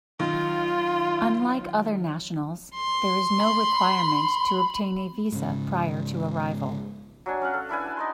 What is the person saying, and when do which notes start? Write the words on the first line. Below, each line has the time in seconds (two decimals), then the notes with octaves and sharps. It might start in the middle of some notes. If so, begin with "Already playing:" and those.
Unlike other nationals, there is no requirement to obtain a visa prior to arrival.
0.20 D#3 F#3 F4
2.75 C6
3.40 B5
5.32 G#2 C#3
7.26 F#3 D4 G#5
7.42 C#4 F5 F#5
7.54 A4
7.69 D4 E4 B4 G#5
7.86 A5
7.97 D#4 D5 C6